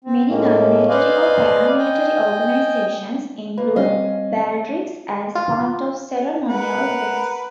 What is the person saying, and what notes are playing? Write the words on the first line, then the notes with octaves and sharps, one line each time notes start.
Many non-military or paramilitary organisations include baldrics as part of ceremonial dress.
C4
A2 G#3 A#3 C#4
B4 C5 D5 D#5 F5 G#5
D#5 G5 G#5
A#3 B4
G3 C4 C#4 D#5 F5
F4
A#4 B4 F#5